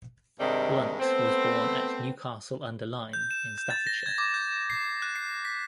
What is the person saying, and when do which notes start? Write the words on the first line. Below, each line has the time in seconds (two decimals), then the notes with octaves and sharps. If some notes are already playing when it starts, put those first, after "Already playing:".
Blunt was born at Newcastle-under-Lyme in Staffordshire.
0.40 G2 C3 D#3 G3 G#3
1.00 A3 B3 C4
3.13 G6
3.31 E7
3.58 G6
3.70 A6
3.87 A#6
4.06 G#6
4.18 D6
4.34 G6
4.70 C7
5.02 F#6
5.16 C7
5.45 B6